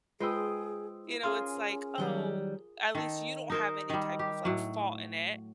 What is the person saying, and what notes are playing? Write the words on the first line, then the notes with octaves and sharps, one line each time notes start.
you know, it's like, "Oh, at least you don't have any type of, like, fault in it."
G#3 F4 G#4 B4 C5 G5 D#6 E6
E4
C#4 F4 G#4 A#4 F5 C6 F6
D#3 F#3 G3 G7
D#3 A4
D#4 A#4 C5
D#3 G3
G4
A2 F#3